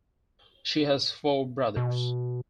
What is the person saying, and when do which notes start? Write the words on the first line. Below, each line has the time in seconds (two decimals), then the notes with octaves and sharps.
She has four brothers.
1.77 B2